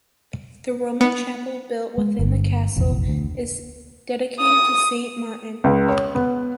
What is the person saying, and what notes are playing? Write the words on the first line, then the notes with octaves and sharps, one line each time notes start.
The Roman chapel built within the castle is dedicated to Saint Martin.
B3
G#3
G1 G2
F1 A#1 E2
D2
D#6
C#2
C#5
B3